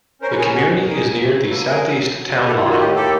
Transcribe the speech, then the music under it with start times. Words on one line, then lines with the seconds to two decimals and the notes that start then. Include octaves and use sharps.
The community is near the southeast town line.
0.22 C#4 A#4 C5
0.30 B4
0.38 C#4 G#4 A#4
0.54 B2 F#4 G#4
0.70 B2
0.86 G3 G#4 A#4
1.02 E2
1.19 A3
1.34 F#3
1.50 A#3 A4 B4
1.66 D3 G#4 A#4
1.82 F#3
1.99 F#3
2.15 F#3
2.31 A#3
2.47 D#3 G4 A4
2.58 E4
2.63 D#3 F4
2.71 E4 F#4
2.79 A2 F4 G4
2.95 A#3 G4 A4